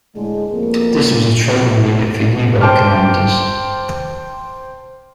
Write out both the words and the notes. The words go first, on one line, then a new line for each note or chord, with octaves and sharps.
This was a training unit for U-boat commanders.
A2 D3 G#3
F2 B2 A#3
C5 G5 A5 D6 F6